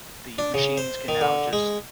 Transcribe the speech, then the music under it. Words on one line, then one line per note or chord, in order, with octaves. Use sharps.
the machines can now just
D4
C#3
C5
D#3
D3
G#3